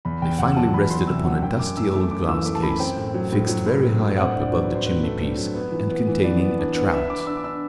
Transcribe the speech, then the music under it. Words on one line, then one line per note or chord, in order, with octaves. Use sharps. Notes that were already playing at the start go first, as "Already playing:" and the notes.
They finally rested upon a dusty old glass-case, fixed very high up above the chimney-piece, and containing a trout.
E2 B5
E2 G5
E2 F#5
F#3 A5
E2 B5
F#3 C6
C3 E6
F#3 F#5
F#2 G5
F#2 D6
F#2 E6
A3 D6
F#2 D6
E3 E6
A3 D6
A5
F#2 B5
C4 G5
A2
F#3
A2
F#3
A2
F#3
A2
C4 F#5
G2
D5
F#3
B4
F#3
C5
C4 B4
A3
G2
F#3
B3
E3
B3
E3
B3 D5
B3
D4
B3
D4 E5
B3 D6
D6
D4 E6
D6
D4 E6